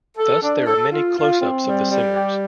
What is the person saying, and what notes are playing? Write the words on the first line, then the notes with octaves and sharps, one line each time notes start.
Thus, there are many close-ups of the singers.
A4
D4
A4
F4
F4
C4
G3
G3
G4